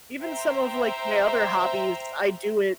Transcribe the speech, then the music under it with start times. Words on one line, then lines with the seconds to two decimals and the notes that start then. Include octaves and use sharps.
Even some of like my other hobbies I do it
0.22 C5 E5 G5 A#5